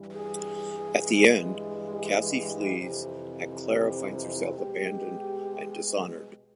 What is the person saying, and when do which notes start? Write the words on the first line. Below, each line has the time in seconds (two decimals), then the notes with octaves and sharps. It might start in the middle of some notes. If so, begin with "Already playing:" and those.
At the end, Cassi flees and Clara finds herself abandoned and "dishonored".
Already playing: G2 E3 G3
0.12 G#4
1.00 G2 E3 G#3
1.89 G4
2.79 F2 C3 E3
3.68 G4
4.57 B2 G#3 G4